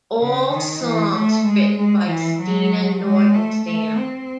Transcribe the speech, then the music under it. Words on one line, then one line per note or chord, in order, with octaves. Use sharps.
All songs written by Stina Nordenstam.
C#3
D#3
E3
A3
G#3
G#3
E3
F#3
G#3
A3
A3
C4